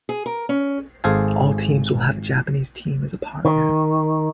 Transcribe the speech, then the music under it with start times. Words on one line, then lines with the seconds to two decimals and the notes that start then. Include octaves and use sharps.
All teams will have a Japanese team as a partner.
0.09 G#4
0.26 A#4
0.49 C#4
1.04 G#1 G#4 A4 C5 F5 G#5
3.45 D#3